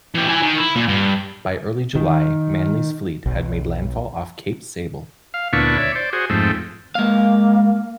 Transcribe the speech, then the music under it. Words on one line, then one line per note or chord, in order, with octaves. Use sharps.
By early July, Manley's fleet had made landfall off Cape Sable.
E3 G4
E4 G#5
D#3
E4
A#2
G2
D#3
B1
F5
D2 A#2 B3 D4 E4 C#6
C#5 D5 E5
C5 D5
F#4 G#4 C5
F2 G#2 A3 C4
G#3 A#3 F5